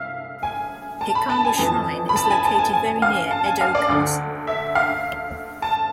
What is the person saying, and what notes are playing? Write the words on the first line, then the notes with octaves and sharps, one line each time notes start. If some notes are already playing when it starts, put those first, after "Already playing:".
Hikawa Shrine is located very near Edo Castle.
Already playing: C2 E5 F5
G#5
A5
B5
A5
G#5
F2 E3 A5
B5
A5
G#5
A5
G#5
G#5
F5
A5
G#5
F5
D5
D2 D3
E5
F5
A5